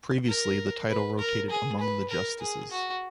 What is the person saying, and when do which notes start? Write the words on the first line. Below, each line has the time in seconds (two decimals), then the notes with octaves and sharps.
Previously the title rotated among the justices.
0.28 A#4
0.89 B4
1.19 A#4
1.50 G#4
1.80 B4
2.10 A#4
2.41 G#4
2.71 F#4